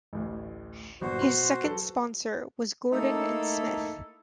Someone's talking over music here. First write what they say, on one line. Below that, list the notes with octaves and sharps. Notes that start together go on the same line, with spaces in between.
His second sponsor was "Gordon and Smith".
A1 D2 A2
G1 A#2 F#4 C5 C#6
B2 C6
F#3 A4 B4
A3 A#3 D#4 E4 A4